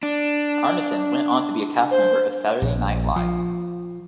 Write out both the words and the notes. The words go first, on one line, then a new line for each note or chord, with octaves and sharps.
Armisen went on to be a cast member of "Saturday Night Live".
D4
C5
A#1
F3